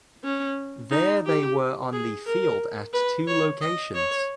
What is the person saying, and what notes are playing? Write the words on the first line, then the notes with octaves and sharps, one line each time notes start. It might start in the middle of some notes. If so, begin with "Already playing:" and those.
There they were on the field at two locations.
C#4
D#4
G4
G#4
A#4
B4
C#5
D#5
C#5